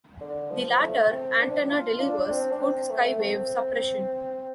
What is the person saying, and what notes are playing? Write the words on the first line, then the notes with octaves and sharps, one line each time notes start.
The latter antenna delivers good skywave suppression.
D3
F3
A3
C4
D4
C4
D4
F4
D4
C4
D4
C4
A3
C4